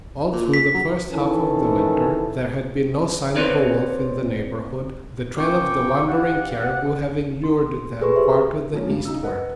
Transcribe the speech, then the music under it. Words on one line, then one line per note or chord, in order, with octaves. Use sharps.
All through the first half of the winter there had been no sign of a wolf in the neighborhood, the trail of the wandering caribou having lured them far to the eastward.
A#2
B6
F#3
D#3 E3 C#4 E4 A4
C4 B4 C#5 D5
A#2 C4 C#4 G5 C#6 D6
G4 D5 F5 F#5
C6
F#4 G#4 A4 B4 C6 C#6
G4 C5 E5
D3 F3 G#3 A#3 C#4
G2 C#3 F#3 G3
C#3 D#4 E6
A#4 B4 D#5 F#5